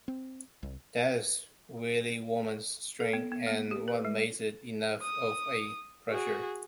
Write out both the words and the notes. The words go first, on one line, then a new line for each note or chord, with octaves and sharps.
That's really 'Women's' strength, and what makes it enough of a pleasure.
C4
C2
A4
B3
B3
A#3
G4
B4
G#3
D#6
F#4 G#4